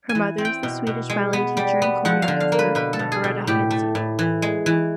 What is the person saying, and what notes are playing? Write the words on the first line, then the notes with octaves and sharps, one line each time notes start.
Her mother is the Swedish ballet teacher and choreographer Margareta Hanson.
G#5
E3
C4
G5
B2
B2
G#3
B3
G3
B3
F3 F#5
F5
D3
F5
A#3
B4
B2 B4
A4
B2
G#4
B2
A2 G4
A3
A2
E3
G#3
E3